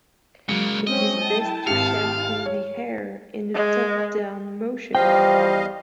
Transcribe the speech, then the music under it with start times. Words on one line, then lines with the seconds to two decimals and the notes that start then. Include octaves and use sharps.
It is best to shampoo the hair in a top down motion.
0.49 C#3 F#3 G#3 A#3 C#7
0.87 C4 C#4 D#5
1.21 E4 G5 A5
1.67 G#1 G4 F5 C#7
2.46 C#5
3.54 G#3
4.95 E2 F3 G3 D#5 F5 G5